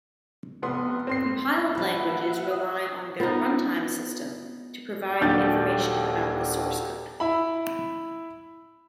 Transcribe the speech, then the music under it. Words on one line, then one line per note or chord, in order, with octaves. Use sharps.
Compiled languages rely on their runtime system to provide information about the source code.
F1 B3 C6
C4 C6 C7
F3 A#3 F#4 E5 F#5 B5
D#6
B3 D#4 F4
D#1 D#2 F#3 D4 G6 A6
E4 B5